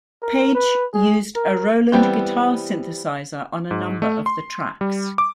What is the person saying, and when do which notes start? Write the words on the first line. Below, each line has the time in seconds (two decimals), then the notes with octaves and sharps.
Page used a Roland guitar synthesizer on a number of the tracks.
0.22 A#4
0.55 B4
0.93 G#4
1.35 A#4
1.92 E3 G3 B3 C4
3.71 G#2
4.02 A3
4.26 C6
4.81 G3
5.18 D6